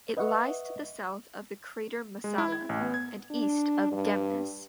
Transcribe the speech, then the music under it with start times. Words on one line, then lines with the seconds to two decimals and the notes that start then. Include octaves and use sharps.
It lies to the south of the crater Messala, and east of Geminus.
0.17 B4 D#5 E5 F#5 C#6
2.24 G#3
2.38 E4
2.52 G#6
2.69 A1
2.81 B3
2.94 G#6
3.31 D4
3.92 G2